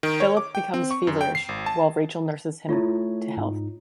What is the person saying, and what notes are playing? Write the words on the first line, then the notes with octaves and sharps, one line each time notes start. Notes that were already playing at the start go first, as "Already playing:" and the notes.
Philip becomes feverish, while Rachel nurses him to health.
D#3
C#5
D6
G5
C4
C#6
F#2
G5
C7
G#1
A5
A3 E4 F4 C#5
G#2 D#4